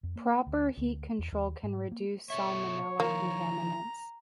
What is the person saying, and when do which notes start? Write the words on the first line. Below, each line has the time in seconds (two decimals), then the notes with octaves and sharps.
Proper heat control can reduce salmonella contaminants.
0.03 F2
0.16 A#3
0.47 D2
0.77 D2
1.19 E2
1.32 D#2
1.63 G#2
1.92 A#3
2.30 B2 A4 C#5 E5
3.00 D#3 F3 A#3 A#5